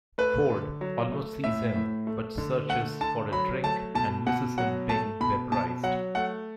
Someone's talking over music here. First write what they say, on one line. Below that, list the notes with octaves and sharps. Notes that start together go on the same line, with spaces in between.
Ford almost sees him, but searches for a drink and misses him being vaporized.
A3 B4
D3
F#3
A3
A2 E5
A2
A3
D3
A3 F#5
D3 A5
F#3 B5
A3 A5
B2 A5
B2 F#5
F#3 F#5
A3 A5
B2 B5
B2 A5
F#3 F#5
A3 F#5